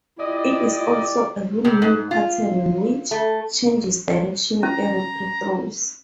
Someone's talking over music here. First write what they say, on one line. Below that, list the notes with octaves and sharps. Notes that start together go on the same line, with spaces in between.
It is also a windmill pattern which changes direction every three throws.
E4 F4 G4 D5 D#5
C3
G#2
F4
A3
C#4 A#5